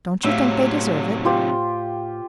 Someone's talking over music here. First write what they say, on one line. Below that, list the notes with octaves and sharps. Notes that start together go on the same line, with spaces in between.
Don't you think they deserve it?
A2 C3 F#3 E5 F5
F4 G4 C5